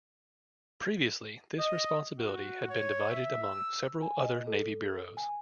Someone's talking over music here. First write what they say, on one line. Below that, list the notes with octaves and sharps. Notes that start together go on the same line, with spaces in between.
Previously, this responsibility had been divided among several other navy bureaus.
D#5
F#4
C#5
E5
E6
G#5
D#5
A4
G#5